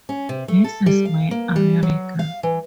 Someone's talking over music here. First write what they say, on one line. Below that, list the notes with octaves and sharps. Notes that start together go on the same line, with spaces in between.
This is my America.
C#4
C3
A3
A4
G3
F5
A#3
G3
F#3
F5
E3